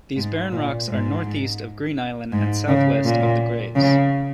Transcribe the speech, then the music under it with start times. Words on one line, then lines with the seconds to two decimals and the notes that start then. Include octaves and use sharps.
These barren rocks are northeast of Green Island and southwest of The Graves.
0.16 G#2
0.52 A#2
0.88 G#2
2.32 G#2
2.68 C#3
3.04 A#2
3.76 C#3